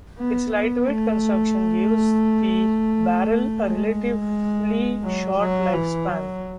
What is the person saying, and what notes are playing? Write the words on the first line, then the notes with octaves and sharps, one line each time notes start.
Its lightweight construction gives the barrel a relatively short lifespan.
B3
B3
A3
G#3
F#3
F#3
E3
F#3